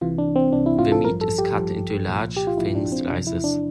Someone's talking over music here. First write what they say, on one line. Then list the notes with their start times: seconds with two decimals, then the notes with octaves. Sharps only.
The meat is cut into large, thin slices.
0.01 C2 C3 E3 F4
0.18 D4
0.36 C4
0.53 C2 C3 E3 D4
0.66 E4
0.79 F4
0.92 A4
1.04 A1 G2 F3 A#4
1.21 A4
1.38 G4
1.55 A1 G2 F3
2.07 C2 A#2 F3
2.36 G4
2.47 F4
2.58 C2 A#2 F3 E4
2.75 D4
2.92 C4
3.09 E2 C3 F3 D4
3.27 E4
3.44 D4